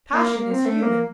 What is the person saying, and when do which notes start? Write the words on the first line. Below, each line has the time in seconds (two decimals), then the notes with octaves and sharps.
Passion is human.
0.12 A#3
0.35 A#3
0.51 C4
0.66 A3
0.82 A#3